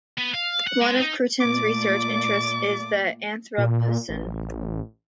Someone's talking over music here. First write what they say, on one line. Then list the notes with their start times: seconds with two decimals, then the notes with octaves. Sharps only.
One of Crutzen's research interests is the Anthropocene.
0.18 B3
0.35 F5
0.67 F#5
0.81 G#3
0.99 D#4
1.41 A#2 A3 D5 D6
3.58 A#2
4.09 A1